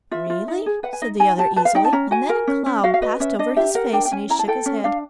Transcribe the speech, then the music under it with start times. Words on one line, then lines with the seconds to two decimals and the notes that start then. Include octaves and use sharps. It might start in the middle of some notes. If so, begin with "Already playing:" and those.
"Really?" said the other easily, and then a cloud passed over his face and he shook his head.
0.11 F4 E5
0.30 F4
0.48 D#4
0.66 G#4
0.83 B4 F#5
0.93 G#5
1.02 D#4 D#5
1.20 D#4 G#5
1.38 G4 A5
1.56 B4 A5
1.65 F5
1.75 D#4 G5
1.85 A5
1.93 C#4 A#5
2.11 F#4 G#5
2.29 A#4
2.47 C#4
2.66 C#4
2.84 F#4 F5
2.94 F5
3.02 B4 D#5
3.20 C#4 E5
3.39 D4 D#5
3.56 G4 E5
3.75 A#4 F#5
3.93 D4 G5
4.05 G5
4.11 C#4 G#5
4.29 E4 A#5
4.39 A5
4.48 A4 G5
4.66 C#4
4.84 D4 F5